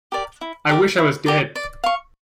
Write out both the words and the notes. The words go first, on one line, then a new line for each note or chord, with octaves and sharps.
I wish I was dead!
G4 A#4 D5
E4
G4 A#4 D5
E4
G4 A#4 D5
D5
F5 C#6